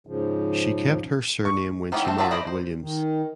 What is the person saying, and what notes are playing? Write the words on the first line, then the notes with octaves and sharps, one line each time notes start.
She kept her surname when she married Williams.
G#2 C#3 F3
C#6
D#3 E3 G#3 B3 C#4
A3 C4
F#3 F4 D5 E5 A5
E3 E4 C5 D5 D#5
C5
D#3